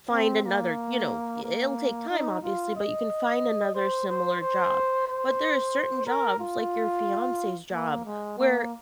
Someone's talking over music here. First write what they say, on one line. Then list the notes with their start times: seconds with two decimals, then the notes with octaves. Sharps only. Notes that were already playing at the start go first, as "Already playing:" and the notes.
find another you know, i i it'll take time, obviously, but you can find another similar job. But there are certain jobs, like your fiancé's job where,
0.10 C4
0.44 A#3
1.43 A#3
2.10 D#4
2.42 F4
2.76 D#5
3.75 C5
4.08 C5
4.41 C5
5.08 C5
6.07 A#4
6.40 F4
7.72 A#3
8.05 G#3
8.38 A#3